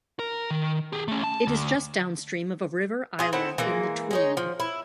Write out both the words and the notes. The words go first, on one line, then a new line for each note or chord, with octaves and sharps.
It is just downstream of a river island in the Tweed.
A#4
D#3
G4 G#4
A3 C#4
A5
D2
F4 G#4
C4 E4 A4 F#5
E3 G#3 A#3
G#3 D#4 C#5
F3
E4